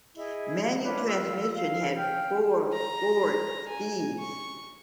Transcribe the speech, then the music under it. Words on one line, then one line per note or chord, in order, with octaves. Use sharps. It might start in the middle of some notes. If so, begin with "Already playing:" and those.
Manual transmission had four forward speeds.
E4 G#4 D#5
D4 F4 B4 C#5
F4 E6
F5
G5 F6 G6
A#5
G#5
C#6